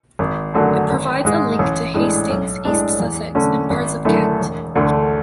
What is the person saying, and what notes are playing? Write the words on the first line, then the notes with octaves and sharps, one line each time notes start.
It provides a link to Hastings, East Sussex and parts of Kent.
G#1
F#2 D3 F#3 A3
G#1
G#2 G#3
A1
A2 G#3 D4
B1
A2 G#3 D4
E2
D3 A3 C#4
G#1
F#2 D3 A3 E4
E1
D2 D3 A3